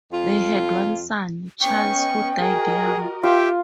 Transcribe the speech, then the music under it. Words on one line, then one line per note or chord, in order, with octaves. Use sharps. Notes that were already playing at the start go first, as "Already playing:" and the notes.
They had one son, Charles, who died young.
F2 F4
B3 C#4 D#5 G5 C#6
F#4 G#4 A#4 D#5
F4 G4 E5 G5